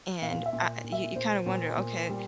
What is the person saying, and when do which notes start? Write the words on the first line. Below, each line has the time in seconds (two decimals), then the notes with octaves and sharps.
and I you you kind of wonder, "Okay,
0.22 A#2 F5
0.46 E5
0.53 A#2
0.84 A#2
0.92 E5
1.16 A#2 C5
1.46 A#2
1.77 A#2
2.09 G3